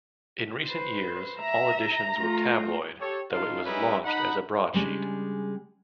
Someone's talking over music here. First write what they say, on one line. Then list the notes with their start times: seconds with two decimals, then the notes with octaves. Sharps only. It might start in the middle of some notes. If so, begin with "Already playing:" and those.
In recent years, all editions were tabloid though it was launched as a broadsheet.
0.67 B4 C5
1.39 E5 A#5
2.17 A3 F4
3.00 G4 A4 C#5
3.31 D#4 F4 A4 F5
3.64 G3 C#4 D#4 E4 G#4 B4
4.05 D#4 F#5 B5
4.73 C#3 G3 G#3 C#4 D4